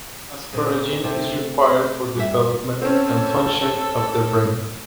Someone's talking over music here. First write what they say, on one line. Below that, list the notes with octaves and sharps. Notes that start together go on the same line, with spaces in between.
Asparagine is required for development and function of the brain.
A#2 C#3 C4
C3 A3 C5
G2 G#4 E5
C4 C#4 A4